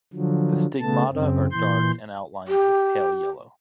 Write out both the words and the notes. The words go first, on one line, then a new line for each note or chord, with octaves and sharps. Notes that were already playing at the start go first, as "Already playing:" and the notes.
The stigmata are dark and outlined with pale yellow.
D3 F3 F#3
C#3 A3 B3 A5
F#2 C#3 C4
A#2 E3 C6 G6
G4